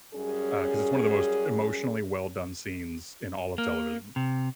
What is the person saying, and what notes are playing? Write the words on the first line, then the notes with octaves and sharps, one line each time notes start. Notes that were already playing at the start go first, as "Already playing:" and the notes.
Uh, 'cause it's one of the most emotionally well done scenes in all of television.
F#2 G3 C#4 G#4
A#3
C3